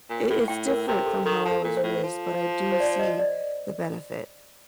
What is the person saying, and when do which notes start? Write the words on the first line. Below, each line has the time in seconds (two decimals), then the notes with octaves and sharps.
it it's different from how I was raised, but I do see the benefit
0.10 A#2
0.30 A2
0.48 A2 G5
0.68 A#4
0.87 C3
1.06 A4
1.26 D#3 A4
1.45 F3
1.51 A4
1.64 A#2
1.77 C5
1.83 A2
2.03 F3
2.72 C5
2.80 D5
3.00 D#5
3.19 D5